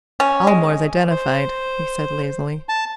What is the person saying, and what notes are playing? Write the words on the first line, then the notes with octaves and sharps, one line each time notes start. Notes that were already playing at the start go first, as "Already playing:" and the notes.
"Aylmore's identified," he said lazily.
C#4
G#3
C5
A5